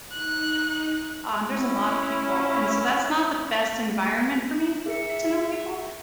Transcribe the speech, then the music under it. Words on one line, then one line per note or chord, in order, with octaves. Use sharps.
um, there's a lotta people, and so, that's not the best environment for me to get to know people,
D#4 F#6
C#4 E4
G#4 A#4 E5 C#7